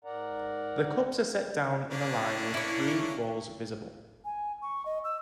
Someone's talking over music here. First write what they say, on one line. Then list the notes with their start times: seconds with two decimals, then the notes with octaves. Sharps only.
The cups are set down in a line with three balls visible.
0.04 G#2 A#4 D5 F#5 A#5
1.91 A#3 C#4 D4
2.54 E4 C#5
4.25 G#5
4.62 C#6
4.86 D#5
5.04 E6